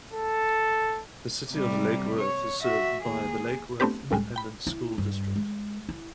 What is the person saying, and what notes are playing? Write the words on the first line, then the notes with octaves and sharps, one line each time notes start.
The city of Lake Worth is served by the Lake Worth Independent School District.
A4
C3 G3
C#5
F#4 E5
D#2 G#4
A3 B3 C4 D4 G4 B4
C#2 A2 G3 G#3
G5 B5
E4
G2
G#3
E4